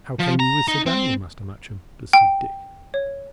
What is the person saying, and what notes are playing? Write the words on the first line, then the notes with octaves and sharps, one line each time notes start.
"And how came ye with Sir Daniel, Master Matcham?" pursued Dick.
F3
A#5
D#4
C4
G5
C#5